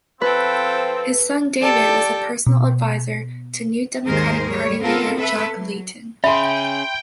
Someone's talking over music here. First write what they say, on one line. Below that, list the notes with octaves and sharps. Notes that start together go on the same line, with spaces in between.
His son David was a personal advisor to New Democratic Party leader, Jack Layton.
F3 C4 A4 B4 G5
G4 A4 D5 G5
B2
D#2 G#2 D#3 G#4 A#4 C5
G3 C#5
B3 C4 F4 A4 A#4
A4 B4 E5
F#3
C#4 G#4 E5 G5 B5 C6